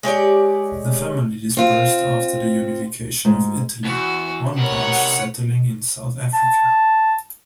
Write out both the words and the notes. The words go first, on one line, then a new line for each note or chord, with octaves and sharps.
The family dispersed after the unification of Italy, one branch settling in South Africa.
G#3 G4 C#5 D5
C4 F4
G#2
E2 F#4
C3 A#4 B4 C#5 F#5
A5